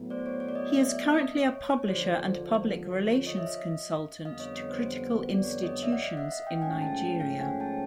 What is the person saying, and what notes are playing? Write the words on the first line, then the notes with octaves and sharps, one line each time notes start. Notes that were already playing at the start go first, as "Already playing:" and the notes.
He is currently a Publisher and Public Relations consultant to critical institutions in Nigeria.
Already playing: A2 F#3 B3
C5 D5
C#5
C#5
D5
C#5 D#5
D5 E5
D5 E5
D#5 F5
C#5
C#5
D#2 D3 F3 C5 D5
C#5
C#5 D#5
E5
D#5 F5
F2 D3 G3 B3 D#5 F5
C#5 D#5
C#5
C5
C5
D5
C#5
C#5 D#5
D5 E5
F#5
D#5 F5
E5 F#5
D#5 F5
F5 G5
G#2 F3 A3 C#4 F#5 G#5
G5 A5
F5 G5
F#5 G#5
G5 A5